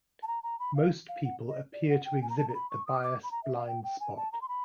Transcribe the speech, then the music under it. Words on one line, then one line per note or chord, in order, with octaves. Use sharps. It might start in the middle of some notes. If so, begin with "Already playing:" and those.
Most people appear to exhibit the bias blind spot.
A5
A#5
A#5
B5
F5
F5
F#5
D#5
D5
F#5
G5
G#5
A#5
A5
A#5
B5
C#6
D#6
D6
B5
A#5
E5
F5
G5
G5
G#5
A5
A#5
C6
B5